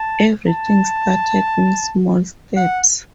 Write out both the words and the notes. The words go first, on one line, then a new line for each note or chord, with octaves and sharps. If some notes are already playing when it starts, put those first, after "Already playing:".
Everything started in small steps.
Already playing: A5
A5
F#5